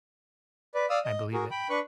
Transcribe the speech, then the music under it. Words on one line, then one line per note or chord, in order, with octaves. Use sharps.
I believe it.
B4 D5
D5 F5 D#6 E6
D#5
F#4 G#4 A#4
G5 B5
D4 B4 C#6 F#6